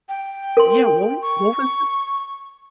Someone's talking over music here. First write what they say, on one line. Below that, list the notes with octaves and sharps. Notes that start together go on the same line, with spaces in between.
Yeah. What what was
G5
A#4 C6
C#6